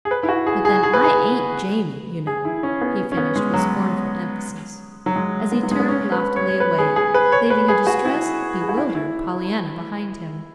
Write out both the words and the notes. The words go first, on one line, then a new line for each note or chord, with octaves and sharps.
"But, then, I ain't 'JAMIE,' you know," he finished with scornful emphasis, as he turned loftily away, leaving a distressed, bewildered Pollyanna behind him.
G#4
B4
E4
F#4
G#4
G#4
G#4
B4
G#4
G#4
E4
C#4
B3
C#4
B3
G#3
F#3
F#3
G#3
B3
F#3
G#3
B3
C#4
B4
C#5
C#5
B4
G#4
G#4
B4
C#5
B4
G#4
F#4
E4
G#4
F#4
E4
E4